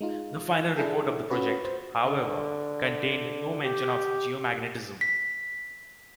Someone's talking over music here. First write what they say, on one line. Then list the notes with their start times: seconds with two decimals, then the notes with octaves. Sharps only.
The final report of the project, however, contained no mention of geomagnetism.
0.01 G#3 D#4 F4
0.76 D4 E4 G#4 A4
1.30 C#4 F4 F#4 B4 C#5
1.65 C5
2.06 D3
3.63 G4
5.01 B6